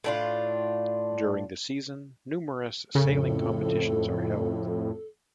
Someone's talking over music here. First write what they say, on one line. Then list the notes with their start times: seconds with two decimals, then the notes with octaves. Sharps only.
During the season numerous sailing competitions are held.
0.04 A2 D4 F4
2.95 F2 A2 C#3 A4